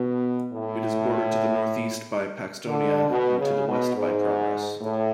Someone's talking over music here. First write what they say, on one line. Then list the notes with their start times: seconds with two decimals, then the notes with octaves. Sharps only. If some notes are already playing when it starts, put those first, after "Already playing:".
It is bordered to the northeast by Paxtonia and to the west by Progress.
Already playing: B2
0.53 A2
2.67 D3
3.10 B2
3.39 C#3
3.67 B2
3.95 G#2
4.81 A2